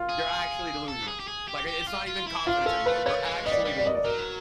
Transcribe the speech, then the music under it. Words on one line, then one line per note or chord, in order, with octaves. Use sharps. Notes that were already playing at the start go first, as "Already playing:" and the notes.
You're actually delusional. Like, i it's not even confidence anymore. You're actually delusional."
Already playing: F4
G#4
A4
G#4
G4
G#4
G4
G4
F4
F4
E4
D4 F4
C#4 A4
A3 B4
A3 C#5
G#3
G3 D#5
D5
G3
D5
D#5
D5
F#3 A#4